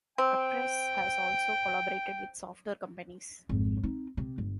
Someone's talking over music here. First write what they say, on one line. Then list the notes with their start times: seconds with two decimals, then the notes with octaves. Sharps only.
Apress has also collaborated with software companies.
0.18 C4 G5
3.49 G#1 F2
3.83 C4 D#4
4.17 C3
4.38 G1